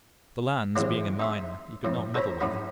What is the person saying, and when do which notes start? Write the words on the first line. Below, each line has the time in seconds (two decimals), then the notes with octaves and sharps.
The lands, being a minor, he could not meddle with.
0.76 A2 C3 E3 F#3 G#3 A#3
1.19 D#4 E5 C6
1.85 F2 A2
2.14 A4 C5 C#5 A#5 B5
2.41 F#2 A2 D#4 F#4 B5